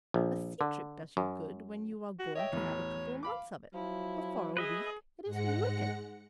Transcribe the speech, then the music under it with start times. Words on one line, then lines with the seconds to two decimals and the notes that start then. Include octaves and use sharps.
A sea trip does you good when you are going to have a couple of months of it, but, for a week, it is wicked.
0.14 A#1
0.61 D3
1.17 F#2
2.19 F#4
2.35 C#5 D#5 E5 G5
2.53 A1 E2
3.23 F5 B5 D6
3.74 F3 F#3 E4
4.57 G#4 B4 D#5 E5
5.25 G#2 G#3 F#5 A#6 C#7